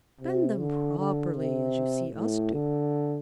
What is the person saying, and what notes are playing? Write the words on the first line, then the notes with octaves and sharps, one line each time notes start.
Bend them properly, as you see us do.
C3
D3
D3
C3
A2
D3